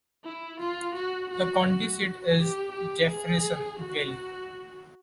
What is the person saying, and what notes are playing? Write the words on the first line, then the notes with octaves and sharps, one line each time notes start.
The county seat is Jeffersonville.
E4
F4
F#4
F#4
F#4
G4
G4
G#4
F#4